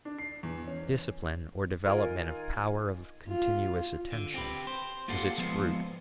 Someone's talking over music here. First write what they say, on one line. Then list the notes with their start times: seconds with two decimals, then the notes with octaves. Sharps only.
Discipline or development of power of continuous attention is its fruit.
0.05 D4
0.18 C7
0.43 E2
0.68 C#4
1.86 D#3 D#4 F4 A#4 G#5
3.28 F4
4.12 D3
4.34 C4 G4 B4
4.67 C5
5.08 A#3 F4 G4 A4 F5 F#5
5.38 F3 G#3 B3 C5